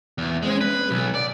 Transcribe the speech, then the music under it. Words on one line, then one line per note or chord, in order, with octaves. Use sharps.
Where have you been?'
E2
G#3
B4
B1
D5